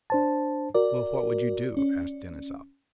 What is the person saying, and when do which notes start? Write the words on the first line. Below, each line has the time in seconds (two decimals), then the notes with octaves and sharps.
"Well, what would you do?" asked Denisov.
0.10 D4 C5 A5
0.75 F#4 A#4 D5
1.77 C#4